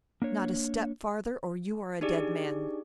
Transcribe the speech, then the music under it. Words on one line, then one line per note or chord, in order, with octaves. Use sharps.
"Not a step farther, or you are a dead man!"
A#3 D4 C#5
D4 D#4 G4 G#4 D5